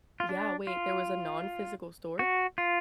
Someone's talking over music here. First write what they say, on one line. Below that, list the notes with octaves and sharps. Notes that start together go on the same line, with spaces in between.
Yeah, wait, there was a nonphysical store?
F4
D4
F4
F#4
F4